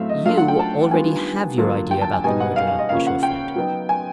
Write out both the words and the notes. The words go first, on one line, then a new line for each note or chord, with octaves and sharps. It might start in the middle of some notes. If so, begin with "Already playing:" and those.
You, already, have your idea about the murderer, Monsieur Fred.
Already playing: A2 F#3 A3 C4 E5 F5
D#5
F#3 A3 D4 F4 F5
F#5
G5
A5
D#3 G3 B3 D4 F4 G#5
D3 F#3 A#3 D4 F4
G5
A5
G#5
B2 G3 B3 D#4 G#5
F#5
F5
F5
D#5
C#3 F3 A#3 C#4 F5
F#5
G5
F#3 B3 D#4
G#5